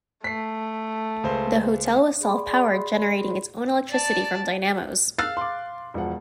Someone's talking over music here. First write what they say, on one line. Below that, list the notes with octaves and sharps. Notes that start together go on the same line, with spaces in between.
The hotel was self-powered, generating its own electricity from dynamos.
A3 B6 C7
C#2 C5
G#4 D5 B5 C6
D5 A5
F5 E6 F#6 A6
C6 D6
E1 F3 F#5